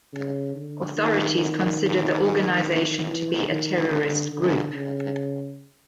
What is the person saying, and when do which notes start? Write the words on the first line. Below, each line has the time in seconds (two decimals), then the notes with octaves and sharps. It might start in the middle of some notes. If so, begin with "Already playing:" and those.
Authorities consider the organization to be a terrorist group.
0.13 C#3
0.56 D3
0.97 D#3
3.07 E3
3.48 D#3
3.91 D3
4.32 D3
4.74 C#3